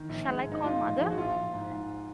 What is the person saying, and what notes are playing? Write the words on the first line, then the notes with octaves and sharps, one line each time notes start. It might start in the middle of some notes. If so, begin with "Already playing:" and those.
Shall I call mother?
Already playing: D#3
A#1
G#3
G#2
D#4
G#3 F4
A#1
F3 G#4
F#4
A#1 F4
A#1
G#2
G#2